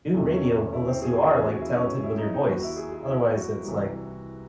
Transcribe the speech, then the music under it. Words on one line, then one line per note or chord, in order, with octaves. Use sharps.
do radio unless you are, like, talented with your voice. Otherwise, it's like,
E2 C3 D#3 A3
C#4
E4
C4
G#4
G#4
D#2 C#3 E3 G#4
F#4
E4
C#4
E4
D#4
D#4
D#2 D#3 F#4
E4
G#4
G#4
E4
F#4
C2 C3 E3